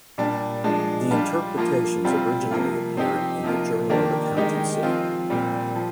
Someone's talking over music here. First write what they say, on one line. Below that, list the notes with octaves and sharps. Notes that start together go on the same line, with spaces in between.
The Interpretations originally appeared in the "Journal of Accountancy".
A#2 G3 D4
F3 G#3 D4
G3 D4 F4
F3 A#3 F4
C3 G3 C4 F4
C3 F3 A#3 F4
F3 C4 D#4 G4
C3 F3 A#3 F4
D#3 A#3 D4 G4
D#3 G#3 D#4 G4
F3 C4 F4
A#2 G3 C4
F3